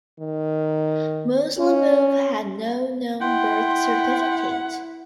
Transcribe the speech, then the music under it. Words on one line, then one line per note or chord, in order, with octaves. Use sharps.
Muslimov had no known birth certificate.
D#3
C#4
E4 F#5 G5 C6